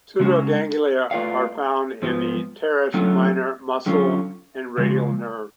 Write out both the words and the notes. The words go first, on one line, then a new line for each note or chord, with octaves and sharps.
Pseudoganglia are found in the teres minor muscle and radial nerve.
C#3 G#3 C#4 F#4
A3 F4 B4 D5 F5
G#2 F3 B3
D3 F#3 A3 C#4 F4
D3 F#3 C#4 F4
C#3 F3 G#3